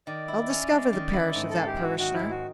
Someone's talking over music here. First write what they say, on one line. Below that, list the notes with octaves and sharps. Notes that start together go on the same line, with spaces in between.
I'll discover the parish of that parishioner.
D#3 D5
E4
C#4
G#3
D#3
E4
G#2
A4
G#2
G4
F#3
F#4
D#3 F#4
G#2 E4
F#4